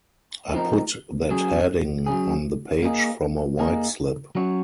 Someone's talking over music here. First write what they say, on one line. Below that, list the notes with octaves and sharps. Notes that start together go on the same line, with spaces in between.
I put that heading on the page from a white slip.
F3 C4 D#4 A#4
F#3 C#4 G#4
F#3 C#4 G#4
A#3 D#4 G#4
A#3 D#4 G#4
F#3 C#4 F#4 C#5